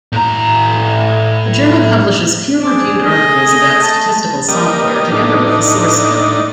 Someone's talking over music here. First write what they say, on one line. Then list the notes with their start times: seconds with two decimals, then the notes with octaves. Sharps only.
The journal publishes peer-reviewed articles about statistical software, together with the source code.
0.13 A2 A#5
2.61 D4 G#4
3.05 A3 D#5
3.82 A5
4.48 G3 A#3 D#5
5.11 A2 D4 D#4